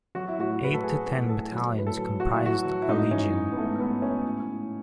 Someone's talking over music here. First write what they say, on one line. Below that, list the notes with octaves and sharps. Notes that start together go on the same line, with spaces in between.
Eight to ten battalions comprised a "legion".
F#3 F#4
E4
A2 F#4
A2 B4
A4
A2 G#4
A2 B4
A2 A4
F#3
A2 B4
A4
F#3
A2 F#4
E4
F#3 F#4
F#3
E4
G#2 D#4
E3 C#4
G#2
B3
G#2 A3
G#2 B3
G#2 C#4
A2
A2